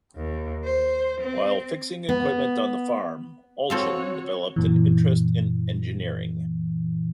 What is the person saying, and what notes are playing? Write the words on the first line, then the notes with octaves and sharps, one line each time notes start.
While fixing equipment on the farm, Allchin developed an interest in engineering.
D#2
C5
C4
B3
C4 F#4 A4 C#5 F5
F#2 A#2 E3